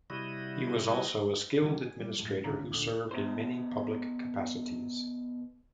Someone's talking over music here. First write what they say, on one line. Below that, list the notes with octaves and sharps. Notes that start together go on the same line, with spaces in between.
He was also a skilled administrator who served in many public capacities.
C3 G3 E4 F#4 D#5
C#3 E3 G3 F#4
G#4
G3
F#2 A2 G#3
C#2 D3 C#4 F4 A#5
D2 A#2 D3
B2 C5